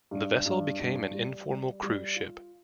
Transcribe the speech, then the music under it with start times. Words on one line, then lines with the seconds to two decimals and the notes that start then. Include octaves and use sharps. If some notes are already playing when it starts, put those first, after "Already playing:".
The vessel became an informal cruise ship.
0.11 G2
0.46 G2
0.80 G2
1.14 G3
1.49 G3
1.83 G3
2.16 F4